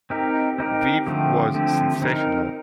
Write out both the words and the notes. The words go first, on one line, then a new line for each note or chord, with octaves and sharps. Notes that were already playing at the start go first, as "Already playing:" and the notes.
Viv was sensational.
C4 D#4 G4 A#4
C4 D#4 G4 A#4
D3 F3 A3 C4 G4
D3 F3 A3 C4 G4
C4 D#4 A#4